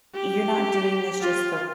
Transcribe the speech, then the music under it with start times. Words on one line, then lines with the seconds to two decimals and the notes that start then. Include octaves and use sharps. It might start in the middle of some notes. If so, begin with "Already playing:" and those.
"You're not doing this just for
0.14 G4
1.21 F4